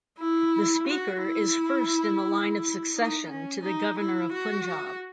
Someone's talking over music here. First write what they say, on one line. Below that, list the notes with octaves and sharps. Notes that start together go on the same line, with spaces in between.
The Speaker is first in the line of succession to the Governor of Punjab.
E4
F#4
E4
D#4
C#4
D#4
E4
F#4